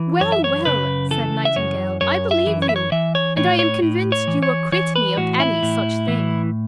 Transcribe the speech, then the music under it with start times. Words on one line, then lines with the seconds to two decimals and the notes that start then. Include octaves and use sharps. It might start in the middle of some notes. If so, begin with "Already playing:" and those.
"Well, well," said Nightingale, "I believe you, and I am convinced you acquit me of any such thing."
Already playing: E3
0.20 F#2 C#5
0.32 E5
0.44 C#5
0.65 C#3 B4
1.11 E3 A4
1.45 E5
1.56 F#2 C#5
2.01 F#2 C#5
2.31 E5
2.47 E3
2.62 C#5
2.69 E5
2.76 C#5
2.92 E3 E5
3.15 C#5
3.37 A2 C#5
3.59 C#5
3.82 A2
4.12 C#5
4.27 E3
4.43 C#5
4.72 E3 C#5
4.96 B4
5.17 A2 F#4
5.40 E4
5.63 A2
6.08 E3